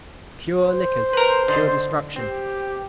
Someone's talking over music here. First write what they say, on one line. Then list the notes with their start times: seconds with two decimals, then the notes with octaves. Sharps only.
"Pure liquors:" pure destruction!
0.58 C5
1.13 A#4 B4
1.48 D3 D#5
2.16 C4 G4